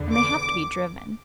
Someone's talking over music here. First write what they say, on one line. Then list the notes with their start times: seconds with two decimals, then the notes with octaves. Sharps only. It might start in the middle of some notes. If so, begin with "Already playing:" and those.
And they have to be driven.
Already playing: E2 D3 B3
0.13 D6